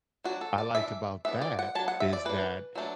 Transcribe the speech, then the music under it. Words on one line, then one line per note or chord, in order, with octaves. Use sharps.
I liked about that, is that,
F#3 D4 F#4
A4
D5
E3 D4 E5
E3 B3 D4 E5
D5
F#5
F#3 D4 A5
F#5
E5
D5
E3 D4 B4
F#3 A3 D4